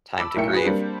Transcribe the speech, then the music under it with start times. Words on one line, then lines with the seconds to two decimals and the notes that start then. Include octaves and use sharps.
time to grieve.
0.18 A5 B5 D6 E6
0.36 B1 A2 A#4 E5 G5 C#7
0.53 F#4 G#4 B4
0.65 G3 A#3 C4 D4